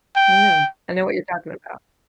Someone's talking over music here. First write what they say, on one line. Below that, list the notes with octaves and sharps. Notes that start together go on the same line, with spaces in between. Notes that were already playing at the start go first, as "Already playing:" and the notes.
I know I know what you're talking about.
G5